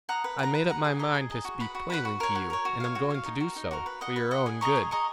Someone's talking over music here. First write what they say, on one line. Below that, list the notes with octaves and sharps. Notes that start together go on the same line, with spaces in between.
I made up my mind to speak plainly to you, and I'm going to do so--for your own good.
F#5 A#5 D#6
B4
F#5 A#5
B4
F#5 A#5
G#4
D#5 A#5
G#4
D#5 A#5
F#4
B4 F#5 B5
F#4
B4 F#5 B5
F#4
A#4 C#5
F#4
A#4 C#5
F#4
C#5 F5
F#4
C#5 F5
D#4
F#4 A#4
D#4
F#4 A#4
B4
D#5 F#5
B4
D#5 F#5
G#4
D#5 A#5 C#6
G#4
D#5 A#5 C#6